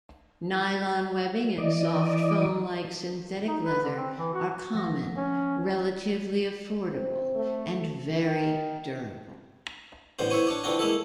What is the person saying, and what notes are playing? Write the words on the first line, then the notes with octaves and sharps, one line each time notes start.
Nylon webbing and soft foam-like synthetic leather are common, relatively affordable, and very durable.
E3 D5 D#5
D#4
B4
D3
C4
E3
F#4
F3 F#5 A#6
C#4
C4
A3
D#3
A1 A2 D3 B3 C5
B3 E4 C5 C#5 G#5
D4 C#5 D5
D3 E3 C4 D4 F4 F#4
G#3 A#3 E4 A4